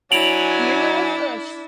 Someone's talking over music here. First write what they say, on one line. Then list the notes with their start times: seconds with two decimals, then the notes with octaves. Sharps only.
Do you know if the sh
0.12 F#3 D4 E4 G#5 D7 F7 F#7